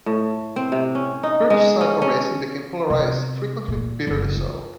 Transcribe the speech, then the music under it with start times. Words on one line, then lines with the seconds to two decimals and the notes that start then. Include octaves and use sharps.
British cycle racing became polarised, frequently bitterly so.
0.06 A2
0.56 C4
0.72 C3
0.95 C#4
1.23 D#4
1.50 G#3
1.81 C#4
2.02 C#4
2.90 C3
3.68 A#2
4.07 F#1
4.36 F4